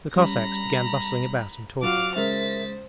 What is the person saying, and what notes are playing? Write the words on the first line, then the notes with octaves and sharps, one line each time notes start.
The Cossacks began bustling about and talking.
G3 C#4 A#5 B5 A#6
F#3 F4 F#4 F5 D6 F6
C#3 G#3 A#4 C5 E5 A6 B6